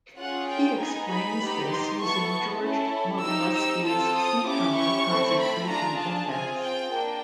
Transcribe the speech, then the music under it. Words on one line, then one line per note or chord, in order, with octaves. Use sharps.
He explains this using George Modelski's Seapower Concentration Index.
C#4 F4 G#4 F#5
G5
B3 D#4 G#4 G#5
B5
B3 D#4 G4
C6
B3 E4 A4 C#6
C#4 E4 A4
C4 D#4 G4 E6
E6
C4 F4 A4 E6
D#6
C#4 E4 G4 D6
C#6
A3 C4 E4 A4
B5
D4 F4 G#4 A#5
A5
C4 F4 G#4 G#5
G5
A#3 D4 G5